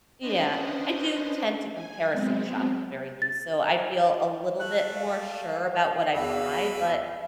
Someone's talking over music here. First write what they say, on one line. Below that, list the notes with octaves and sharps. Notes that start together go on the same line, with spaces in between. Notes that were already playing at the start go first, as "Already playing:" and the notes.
Yeah. I do tend to comparison shop at the very least, so I feel a little bit more sure about what I buy, but,
C#4 D4 B4 C5 D#5
G#5
F#3 G#3 B3 C4
A6
A3 F#6
F5
E2 F#4 B4 E6